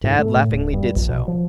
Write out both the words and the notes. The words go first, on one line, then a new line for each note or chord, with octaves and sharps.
Tad laughingly did so.
G#2
A3
A2
D1
G2
A#1
B2
F3